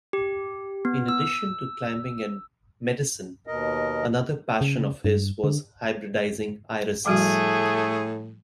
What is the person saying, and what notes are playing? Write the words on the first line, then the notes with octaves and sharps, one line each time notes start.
In addition to climbing and medicine another passion of his was hybridizing irises.
G4
B3
E6
D#2 B2 A#4 D#5
C#3
G2
D3
A2 F3 G3 A3 F#4 G#4